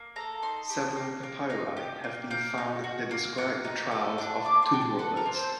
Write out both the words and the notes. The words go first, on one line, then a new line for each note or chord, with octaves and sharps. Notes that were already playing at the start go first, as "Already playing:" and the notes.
Several papyri have been found that describe the trials of tomb robbers.
Already playing: A#3
A4 A#5
D#4 C6
G4
A#3
A#3
D#4
G4
A#3
A#3 G5
D#4
F#4
A#3
A#3 F#5
D#4
A4
D4
D4 D6
C6
F#4 G5
A5
A4 F#5
A#4
C4
C5